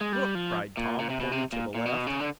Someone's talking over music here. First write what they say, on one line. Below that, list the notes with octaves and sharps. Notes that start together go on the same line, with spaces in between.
"Look!" cried Tom, pointing to the left.
G#3
G3
F3
A#2
A#2
C3
B2
C3
A#2
A#2
B2
C#3
D3